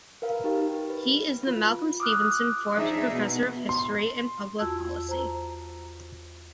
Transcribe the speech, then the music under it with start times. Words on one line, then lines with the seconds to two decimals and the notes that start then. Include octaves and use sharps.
He is the Malcolm Stevenson Forbes Professor of History and Public Policy.
0.22 A#4 B4 F5
0.44 D#4 G4
0.90 B4
1.47 F4
2.00 D6 D#6 F6 F#6
2.76 F3 D4 D#4 G#4 E5
3.09 B2
3.69 C6
4.59 E2 F4 F#4 A5 E6 G#6
5.08 C5 A#5